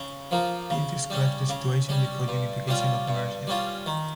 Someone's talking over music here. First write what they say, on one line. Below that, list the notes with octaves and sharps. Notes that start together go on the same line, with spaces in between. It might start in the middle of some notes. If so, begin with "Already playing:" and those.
This describes the situation before the unification of Mercia.
Already playing: C#3
F3 A#3
C#3
G3 C#4
C#3
G3 C#4
G2
G3 C#4 F4
G2
G3 C#4 F4
D#3